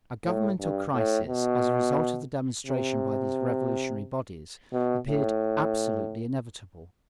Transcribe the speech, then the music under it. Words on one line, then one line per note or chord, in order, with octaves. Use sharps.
A governmental crisis, as a result of the demonstration by these revolutionary bodies, appeared absolutely inevitable.
A2
G2
A2
B2
C3
B2
A2